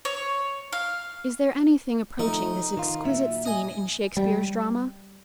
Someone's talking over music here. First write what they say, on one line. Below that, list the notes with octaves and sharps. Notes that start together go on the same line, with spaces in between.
Is there anything approaching this exquisite scene in Shakespeare's drama?
C#5
F5
F3 A3 D#4
D#3 F4
A#2 F#3 E5
D#5 G#5
G3